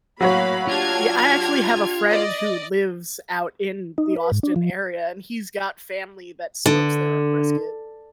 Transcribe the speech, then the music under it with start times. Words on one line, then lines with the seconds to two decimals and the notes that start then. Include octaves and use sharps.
Yeah, I actually have a friend who lives out in the Austin area, and he's got family that smokes their own brisket.
0.21 A2 F#3 A#3 F#4 C#5 F5 B5
0.68 D4 F4 G4 F6 G#6
2.08 D5 D#5
3.98 D#4
4.16 B4
4.32 G#2
4.43 D4
4.56 F3
6.66 D3